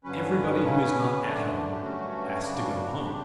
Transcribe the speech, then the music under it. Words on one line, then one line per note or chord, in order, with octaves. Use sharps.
Everybody who is not at home, has to go home.
G2 D3 F#3 C#4 B4
C#3 F#3 C#4
F#2 D3 A3 D4
G4
G2 F#3 A3 C#4 F#4
F#2 C#3 G3 D4
C#3 G3 D4 G4